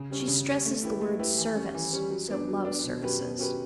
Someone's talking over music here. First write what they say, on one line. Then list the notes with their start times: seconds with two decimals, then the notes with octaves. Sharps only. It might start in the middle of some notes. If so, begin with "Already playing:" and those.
She stresses the word 'service,' so love services.
Already playing: C#3
0.10 G3 C#4
0.28 C#3
0.47 G3 C#4
0.65 A3
0.84 E4 G4 B4
1.01 A3
1.19 E4 G4 B4
1.38 E3
1.56 G3 C#4
1.75 E3
1.93 G3 C#4
2.11 F#3
2.28 B3 D4
2.47 F#3
2.65 B3 D4
2.83 B2
3.01 F#3 C#4 G4 B4
3.20 B2
3.38 F#3 C#4 G4 B4